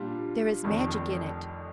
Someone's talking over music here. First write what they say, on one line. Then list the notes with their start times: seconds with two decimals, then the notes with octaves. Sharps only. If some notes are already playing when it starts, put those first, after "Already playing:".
There is magic in it.
Already playing: A#2 G3 D4 F4
0.64 F1 F2 D#3